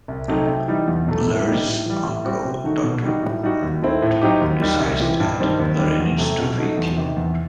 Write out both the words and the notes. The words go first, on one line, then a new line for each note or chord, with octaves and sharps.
Larry's uncle, Doctor Paul Abbot, decides that Larry needs to be cured.
C2
C3 F#3 A3 D#4
C3
E3 G3 D#4
E2
B2 F#3 A3
A2
G3 D#4 G4
A2
E3 G3
A2
G3 C4 F#4
C3
D#3 A3 D#4 F#4
B2
G3 D#4 F#4
A2
G3 D#4 F#4
D#2
D#3 A3 C4 E4
A2
F#3 C4 D#4 G4
D#2
D#3 G3
C2
C3 E3
G2
D#3 G3 C4
D#2
D#3 G3
E2
C3 F#3 A3
B2
A3 D#4 F#4
E2
C3 D#3
E2